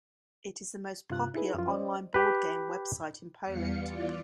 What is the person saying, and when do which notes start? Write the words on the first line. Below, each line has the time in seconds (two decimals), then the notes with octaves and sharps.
It is the most popular on-line board game website in Poland.
1.10 G2 C3 F4 F#6
1.34 D#4 E4 G#4 B4
1.54 F#2 F3 F4
1.67 C#4 C5 D5 D#5
2.14 G4 B4
3.42 E2 G3 B3 F5 C#7
3.75 E3 F4 D5